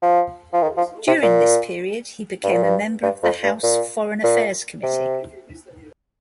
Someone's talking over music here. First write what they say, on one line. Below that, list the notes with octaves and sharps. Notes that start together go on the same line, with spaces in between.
During this period, he became a member of the House Foreign Affairs Committee.
F3
F3
D#3
F3
C3
A#2
G2
A#2
G2
G2
F2
G2
A#2
A#2
C3